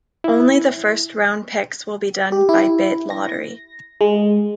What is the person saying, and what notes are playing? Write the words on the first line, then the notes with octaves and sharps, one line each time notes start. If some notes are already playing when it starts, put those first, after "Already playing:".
Only the first round picks will be done by bid lottery.
E4
G4
E4
A#6
G#3